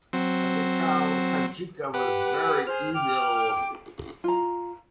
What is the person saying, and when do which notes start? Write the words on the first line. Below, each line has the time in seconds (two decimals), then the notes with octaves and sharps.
As a child, Kajika was very evil.
0.13 F#3 C4
1.94 G4 B4 F#5
2.67 G#4 C5 F6
2.94 G5 D6
4.24 F4 A#5